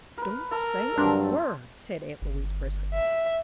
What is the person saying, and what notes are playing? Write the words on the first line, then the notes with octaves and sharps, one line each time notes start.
"Don't say a word," said aunt Louise, briskly.
A#4 B4
A4 A#4 A5 A#5
G2 F#3 C4 D4
G1
E5